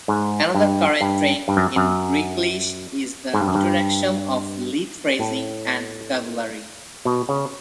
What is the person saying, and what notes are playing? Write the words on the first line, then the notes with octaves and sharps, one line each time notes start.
Another current trend in Greeklish is the introduction of Leet phrasing and vocabulary.
G#2
G2
G2
G2
F#2
F#2
G#2
G2
F#2
G2
A2
B2
C#3